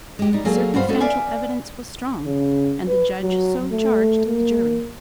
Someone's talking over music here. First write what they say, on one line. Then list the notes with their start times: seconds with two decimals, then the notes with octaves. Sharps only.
The circumstantial evidence was strong, and the judge so charged the jury.
0.19 G#3 G4
0.33 G3 D#4
0.45 F#3 A#3 G#4 A4
0.74 G2 F#4 B4 C5 F5
0.88 C#4 D#4 F#4 A4
1.00 B4 D5 E5 F5 G#5
2.26 C#3
2.88 B4
3.21 F#3
3.71 A3
4.26 A#3